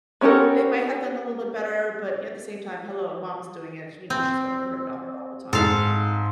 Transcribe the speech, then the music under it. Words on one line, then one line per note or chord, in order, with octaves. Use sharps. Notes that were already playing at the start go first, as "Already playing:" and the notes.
they might have done a little bit better, but, yeah, at the same time, "Hello, mom's doing it." you know, she's gonna put her daughter all the time.
B3 C#4 G4 A4 A#4
C4
G#2 A4 F5